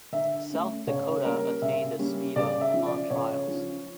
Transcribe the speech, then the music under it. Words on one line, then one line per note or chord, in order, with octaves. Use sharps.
"South Dakota" attained a speed of on trials.
D3 E5
A3 C#4
C#3 C#5
G3 A#3 C#4 A#4
C#3 E5
G3 A#3 C#4
C#3 D5
E5
F3 C#4
D5
C#3 C#5
F3 C#4